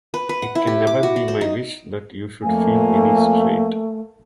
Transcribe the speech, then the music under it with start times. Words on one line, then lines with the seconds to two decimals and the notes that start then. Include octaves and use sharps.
It can never be my wish that you should feel any strait.
0.14 B4
0.29 B4
0.42 F#5
0.55 E4
0.67 G4
0.87 D6
1.03 F#4
1.16 D5
1.28 C5
1.41 D#4
2.43 F2 A3 A#3 G#5